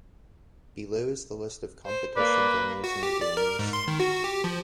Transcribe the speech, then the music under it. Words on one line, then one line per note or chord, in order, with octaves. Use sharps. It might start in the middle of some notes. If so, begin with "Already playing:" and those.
Below is the list of competition venues in the Games.
C5
A#3 B4 D5
F#4
G4
D5
A#4
G#2
C6
D#3
F#4
G4
F3